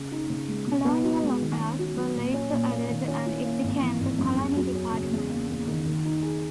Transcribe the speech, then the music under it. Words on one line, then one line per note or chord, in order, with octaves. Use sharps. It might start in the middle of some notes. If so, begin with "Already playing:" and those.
Colonial affairs were later added and it became the Colony Department.
Already playing: C#3
D#4
C#3
G#3
B2
B3
F#4
G#3
D#3
C#4
F#4
F#3
A#2
C#4
A#2
A#3
D#3
C#4
E4
A#3
G#1
E3
G#1
F#2
E2
F#3
C#4
C#3
E2
A#3
E2
D#3
D#3
D#4
G#4